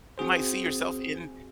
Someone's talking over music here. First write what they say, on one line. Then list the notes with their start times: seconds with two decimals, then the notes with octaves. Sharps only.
You might see yourself in
0.18 C4 F#4 G#4 C5